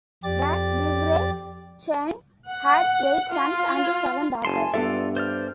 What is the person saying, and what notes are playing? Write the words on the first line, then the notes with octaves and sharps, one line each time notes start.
The "Divrei Chaim" had eight sons and seven daughters.
F2 G4 D5 A6
F#5
F4
F#1 G#5 A5 C6
G2 B3 F4 A4 D5 E5
C5 D5 F6